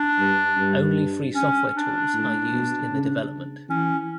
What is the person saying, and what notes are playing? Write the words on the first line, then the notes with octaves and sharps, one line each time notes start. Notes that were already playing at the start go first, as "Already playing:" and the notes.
Only free software tools are used in the development.
Already playing: D4
G2
G2
C#4
D4
A2
B2
C#3
E3 C#4